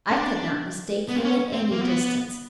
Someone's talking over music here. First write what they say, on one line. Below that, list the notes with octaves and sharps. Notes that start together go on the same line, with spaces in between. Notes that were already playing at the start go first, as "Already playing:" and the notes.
I could not mistake him at any distance.
D4
B3
C4
C#4
C4
A#3
B3